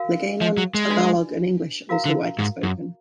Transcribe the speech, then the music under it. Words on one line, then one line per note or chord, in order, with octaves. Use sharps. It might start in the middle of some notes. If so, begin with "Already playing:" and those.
Hiligaynon, Tagalog, and English are also widely spoken.
Already playing: F#4 A#4 F5
F3
F#3
G#3
D4 F#4 B4 D5 G#5
F#4 A#4 F5 A#5
D3
G#2
F#2